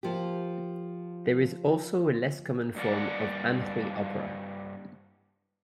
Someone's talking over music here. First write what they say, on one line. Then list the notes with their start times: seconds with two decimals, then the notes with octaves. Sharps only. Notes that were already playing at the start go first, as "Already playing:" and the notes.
There is also a less common form of Anhui opera.
0.03 F3 A#3 G4
2.76 G2 A#3 F#4 D5 F#5